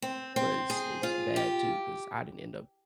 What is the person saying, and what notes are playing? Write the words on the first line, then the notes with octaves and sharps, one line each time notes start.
Was was bad too 'cause I didn't end up
C4
C4
G#4
F4
G4